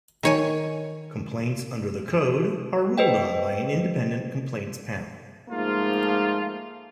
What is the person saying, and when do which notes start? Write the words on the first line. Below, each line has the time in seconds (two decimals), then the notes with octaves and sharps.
Complaints under the Code are ruled on by an independent complaints panel.
0.23 D#3 C#5 G#5
2.98 B4 C5 D#5 G5
5.49 G#2 F3 A3 A#3 F4